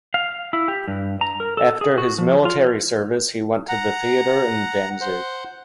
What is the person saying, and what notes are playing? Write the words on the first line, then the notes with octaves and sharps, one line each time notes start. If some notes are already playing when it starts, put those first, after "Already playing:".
After his military service he went to the theatre in Danzig.
F5
E4
G4
G2
A#5
A#4
A4
G#4
F#4
F3
F4
F#5 A#5
C5 F#5